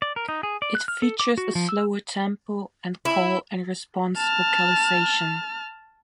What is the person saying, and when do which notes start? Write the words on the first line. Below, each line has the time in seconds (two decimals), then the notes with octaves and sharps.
It features a slower tempo and call and response vocalization.
0.02 D5
0.16 A#4
0.29 D#4
0.43 G#4
0.62 D5
0.75 F#6
0.88 F6
1.02 A4
1.20 D6
1.38 F#4
1.55 F3
1.69 E6
3.05 E4
4.17 A5 F6